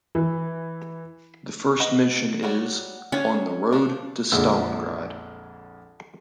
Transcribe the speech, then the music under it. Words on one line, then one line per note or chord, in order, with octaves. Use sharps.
The first mission is On the Road to Stalingrad.
E3
B4 D#5 F#5
F#3 G3 F#4
C#4 D4 G#4
F3 D4
A#1 F2 A#2 D3 G#3 E6